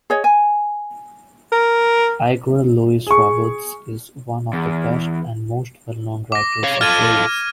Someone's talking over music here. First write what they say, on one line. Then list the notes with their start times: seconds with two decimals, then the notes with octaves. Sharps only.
Eigra Lewis Roberts is one of the best and most well-known writers of Wales.
0.10 G#4 C#5 D#5
0.24 G#5
1.52 A#4
3.07 G#4 C#6
4.53 E2
6.32 D6 A#6
6.64 C#5 F5
6.81 F4 A4 F6 G#6 D#7